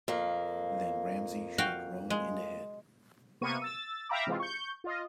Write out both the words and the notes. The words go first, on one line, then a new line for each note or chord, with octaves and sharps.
Then Ramsey shot Roan in the head.
F2 A#3
F#4 F5 G5
G#3
C3 A#3 B3 C#6 D#7
E6 A6
E5 F5 G5 A#5 B5 D6
C3 E3 G#3 F4
C#6 G6
F4 D#5